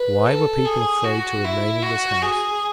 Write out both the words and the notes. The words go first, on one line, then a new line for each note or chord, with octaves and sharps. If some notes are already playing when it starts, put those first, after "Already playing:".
Why were people afraid to remain in this house?
Already playing: B4
A4
G#4
F#4
E4
F#4
G#4